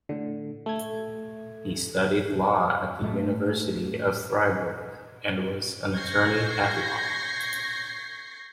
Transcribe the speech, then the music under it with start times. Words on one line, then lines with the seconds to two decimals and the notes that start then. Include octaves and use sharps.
He studied law at the University of Fribourg and was an attorney-at-law.
0.09 A2 D3
0.66 A3 G#6
3.02 A2 G#3 A3
5.93 C#6 G6 G#6 A#6 C7